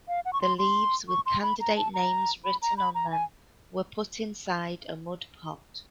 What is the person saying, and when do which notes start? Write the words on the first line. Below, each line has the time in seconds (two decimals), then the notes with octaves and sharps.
The leaves, with candidate names written on them, were put inside a mud pot.
0.08 F5
0.25 F#5
0.33 C#6
0.42 C6
0.59 C6
1.09 C#6
1.26 C6
1.43 B5
1.61 A#5
1.77 A5
1.94 A#5
2.45 B5
2.62 A#5
2.78 B5
2.95 A#5
3.12 G#5